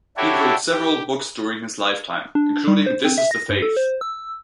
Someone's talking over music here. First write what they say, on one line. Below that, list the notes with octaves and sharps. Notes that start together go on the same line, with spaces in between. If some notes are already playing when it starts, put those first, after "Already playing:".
He wrote several books during his lifetime, including "This is The Faith".
D4 E4 F#4 G4 A4 C#5
G4
D4
G3
C5
C4
E5
A#6
G2
A4
C5
E6